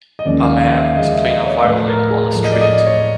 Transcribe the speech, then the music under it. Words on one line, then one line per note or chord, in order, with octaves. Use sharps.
A man is playing a violin on a street.
D#5
D#2 C#3 F3 G#3 C#4 D5
F5
F5
E5
D#2 C#3 F3 G#3 C#4 D#5
E5
D#5
C#5
A2 F3 A3 B4
A#4
G#4
A2 F3 A3
D#5
D5
D#5
D5
C#5